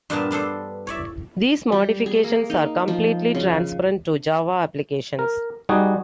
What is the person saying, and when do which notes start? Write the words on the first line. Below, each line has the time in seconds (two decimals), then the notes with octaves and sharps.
These modifications are completely transparent to Java applications.
0.10 G2 A#2 B3 D4 A#4 A5
0.31 B3 D4 A4 C5
0.87 C#5 D5 E5
1.72 G3
2.06 G#4
2.24 A#3
2.50 D#4
2.88 F3
3.35 C#3
5.19 A#4
5.69 G3 D#4 F#4 G#4